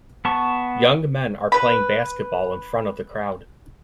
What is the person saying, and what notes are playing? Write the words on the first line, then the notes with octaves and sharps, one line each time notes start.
Young men are playing basketball in front of the crowd.
B3 A5 C#6
B4 B5